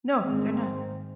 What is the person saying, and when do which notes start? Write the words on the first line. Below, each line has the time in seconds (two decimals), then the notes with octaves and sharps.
No, they're not.
0.21 G#2 D#3 G#3 C4